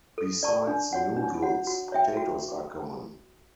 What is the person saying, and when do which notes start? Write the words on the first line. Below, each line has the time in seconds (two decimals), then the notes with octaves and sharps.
Besides noodles, potatoes are common.
0.18 A4
0.43 D5 A5 C#6
0.67 D4
0.93 F#4 C#5 F#5
1.17 D4
1.42 F#4 C#5 F#5
1.67 F#4
1.92 C#5 E5 G5
2.17 F#4